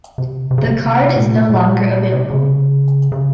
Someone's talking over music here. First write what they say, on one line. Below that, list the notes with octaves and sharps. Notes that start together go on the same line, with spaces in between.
The card is no longer available.
C3
C3
C#3
C3
A#2
A#2
C3
C#3
C#3